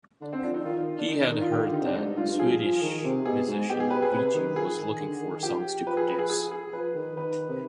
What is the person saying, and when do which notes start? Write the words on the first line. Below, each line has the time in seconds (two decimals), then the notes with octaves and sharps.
He had heard that Swedish musician Avicii was looking for songs to produce.
0.21 D3 D4
0.33 C4
0.43 F3 D4
0.54 D#4
0.65 D#3 F4
0.99 D4
1.08 D#3 D#4
1.20 D4
1.30 D#3 D#4
1.41 F4
1.52 D#3 G4
1.63 D3 F4
1.74 D#4
1.81 C3 D4
1.95 G#2 D#4
2.06 G2
2.17 G2 F4
2.28 G2
2.39 F3 G#4
2.61 F3
2.76 F3
2.82 D#3
3.04 C3
3.25 B2 G#4
3.47 G#2
3.69 B2 G4
3.80 G#4
3.90 B4
4.02 G#4
4.12 C3 B4
4.34 D#3
4.56 F3 G#4
4.78 D#3
4.99 D3
5.21 D#3
5.43 F3 G4
5.87 F3 B4
5.97 G#4
6.08 B4
6.19 G#4
6.30 G#4
6.51 G#4
6.73 F3 B4
6.95 D#3
7.17 D#3 B4
7.49 C3